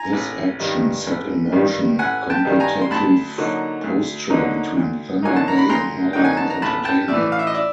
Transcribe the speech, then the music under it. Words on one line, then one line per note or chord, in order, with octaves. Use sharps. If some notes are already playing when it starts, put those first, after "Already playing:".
This action set in motion a competitive posture between Thunder Bay and Northern Entertainment.
Already playing: G#5 A#5
A1
G2 D#3 G3
A1
G2 D#3 G3
A1 F#5 G#5
G5 A5
G2 D#3 G3
G#5 A#5
C6
D2 A5 B5
D3 F#3 A#3 D#4
D2
D3 F#3 A#3 D#4
D2
D3 F#3 A#3 D#4 G#5
A5
A#5
B5
D2 A#5 C6
D3 F#3 A#3 D#4 G5
G#5
A5
A#5
A1 A5 B5
G5 A5
A2 E3 D5 E5
F5
E5
D#5
D5 E5